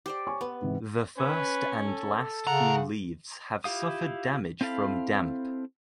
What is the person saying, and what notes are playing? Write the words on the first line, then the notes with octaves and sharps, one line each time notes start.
The first and last few leaves have suffered damage from damp.
G4 C5 D5
C#5 G#5 C#6
B3 F#5
G#2 C3 E3
C#4 B4
A4
C#3 A#4 F#5
E4 F4 G4 F5 D#6
C4 E4 A4 F5 B5